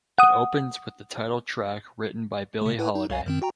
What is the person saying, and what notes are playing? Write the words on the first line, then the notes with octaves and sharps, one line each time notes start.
It opens with the title track written by Billie Holiday.
F#5 D#6
C3 A3
E4 B4
D#4
C2 F5 G#5
F#2 D#3 C4
F#4 G5 A#5